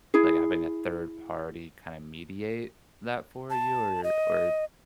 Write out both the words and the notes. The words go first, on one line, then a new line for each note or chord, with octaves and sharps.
like, having a third party kinda mediate that for you, or or,
E4 G#4
A5
D#5